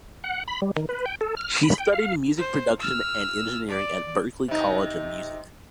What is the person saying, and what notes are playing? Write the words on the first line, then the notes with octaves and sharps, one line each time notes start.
She studied music production and engineering at Berklee College of Music.
F#5
B5
G3
D#3
B4
G5
A4
F6
B5
G5
F5
C5
E6 F6
D5
C3 D#4